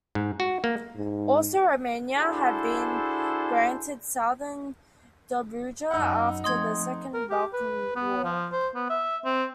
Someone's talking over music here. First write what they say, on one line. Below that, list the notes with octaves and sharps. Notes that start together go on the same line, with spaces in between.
Also Romania had been granted Southern Dobruja after the Second Balkan War.
G#2
F#4
A#3
G#2
D4 E4 F#4 G#4 A4 C5
F#2 D#4 F#5 B5 E6
F3 A3 C4 D#5 C6 D#6 G#6
A#4
G4
B4
B3
F3
C5
B3
E5
C4